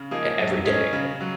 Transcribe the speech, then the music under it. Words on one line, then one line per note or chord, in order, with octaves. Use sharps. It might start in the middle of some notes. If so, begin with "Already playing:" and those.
e every day.
Already playing: C#3
F3 A#3 D#4 G#4
F#3
C#4 G#4 D#5
C#3
F#3